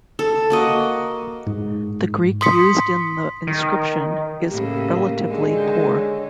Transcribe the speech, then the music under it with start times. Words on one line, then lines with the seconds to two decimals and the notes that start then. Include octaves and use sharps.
The Greek used in the inscription is relatively poor.
0.19 A4
0.50 A#3 F#4 D#5
1.47 G#2
2.41 C6 D#6 B6 C#7
3.47 D#3
4.50 A2 C#3 A#3 G4
5.28 D3 D#3 G#3
5.57 G6
5.97 C#5